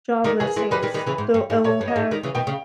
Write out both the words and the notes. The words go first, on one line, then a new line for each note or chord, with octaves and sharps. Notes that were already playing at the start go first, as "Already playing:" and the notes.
job listings so it will have
D#3 G3 A#4
C#3 E3 G#4
E3 G#3
D#3 G3 B4
D#3 G3
D#3 G3
C#3 E3
G#2
G2
G#2
A#2 C#5
G2
D#5
G#2
D#3 G3
C#3 E3
B2 D#3 G5
C#3